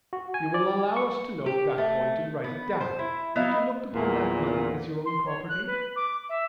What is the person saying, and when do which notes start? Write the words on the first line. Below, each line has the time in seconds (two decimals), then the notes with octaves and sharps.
"You will allow us to note that point and write it down; that you looked upon that money as your own property?"
0.13 F#4
0.34 G#5
0.54 D5
0.96 C#6
1.46 G4
1.78 A3
2.44 B3
2.81 C5
2.99 E4
3.36 B3 D#4 E4 F5
3.94 E2 A#2
5.06 C6
5.25 C#5
5.49 F#6
5.67 B4
5.96 D6
6.29 E5